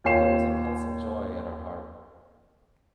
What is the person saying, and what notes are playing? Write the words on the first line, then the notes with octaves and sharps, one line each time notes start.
But there was a pulse of joy at her heart.
D#2 F4 C#5 G5 C7 E7